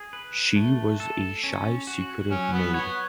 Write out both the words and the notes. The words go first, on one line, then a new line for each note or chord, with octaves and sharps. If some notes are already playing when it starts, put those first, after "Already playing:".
She was a shy, secretive maid.
Already playing: G#4
B4
A3
A4
C#4
F#4
F#3 C#4
B3
B3 C#5